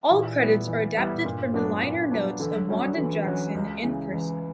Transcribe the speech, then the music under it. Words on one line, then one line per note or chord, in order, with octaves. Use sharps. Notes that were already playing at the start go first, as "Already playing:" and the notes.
All credits are adapted from the liner notes of "Wanda Jackson in Person".
A#2 E3
G3 B3 E4
E3
G3 B3 E4
A#2
G2 A#2
F#3 B3 D4
A#2
F#3 B3 D4
D3 E3
F#3
F#3 G3 C#4 F#4
G3
D3 E3
F#3 C#4 F#4
C#2
C#3 E3
C#2 E3